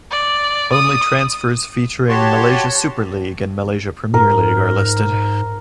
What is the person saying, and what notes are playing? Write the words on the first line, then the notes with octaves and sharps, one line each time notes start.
Only transfers featuring Malaysia Super League and Malaysia Premier League are listed.
D5
D#6
F#4 G4 C#5 A5 C6
G#2 A#4